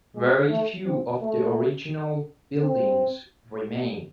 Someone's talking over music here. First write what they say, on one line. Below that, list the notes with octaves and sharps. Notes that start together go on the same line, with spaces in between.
Very few of the original buildings remain.
G#3
A3
C4
A3
C4